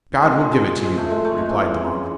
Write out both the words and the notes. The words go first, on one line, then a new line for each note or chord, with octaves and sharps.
"God will give it to you," replied the monk.
A#2 F3 G#3
A#2 F3 G#3
A3
G#3
A3
G#3
C#3 E3